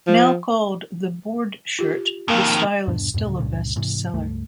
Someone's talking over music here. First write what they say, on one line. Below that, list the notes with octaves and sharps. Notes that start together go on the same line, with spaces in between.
Now called the "board shirt," the style is still a bestseller.
F3
F4 G4
F2 D#3 A#3 A#4 F5
D#1 G2 B2 D4
F2 G#2 B2
D2 A2 C#3
C#2 G2 A#2 C#3
G#2 C3 E3
C#2 G2 A3